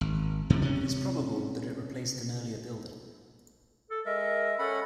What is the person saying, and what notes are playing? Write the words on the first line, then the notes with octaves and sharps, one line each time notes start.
It is probable that it replaced an earlier building.
G#1
F2 C3 F3
C3 C#4
A4
G#3 A#4 E5
C#4 A4 F#5 B5